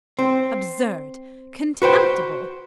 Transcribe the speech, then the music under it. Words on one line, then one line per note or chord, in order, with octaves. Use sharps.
Absurd! contemptible!
C4
F#4 B4 C5 G5